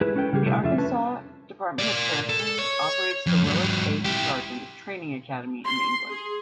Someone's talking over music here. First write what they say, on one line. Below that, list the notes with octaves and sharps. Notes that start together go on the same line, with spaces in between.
The Arkansas Department of Correction operates the Willis H. Sargent Training Academy in England.
G#3 E4 G#4 B4
C#4 A4 B4 F#5 G5
C#3 G3 G4 G#4
C3 G3 A3 D4 E4
F2 A3 D4 F4 E5
C#4 B4 A5
A#4 D5
A4
C#5
F2
G#2 F#3
E4 G4
C6
G#4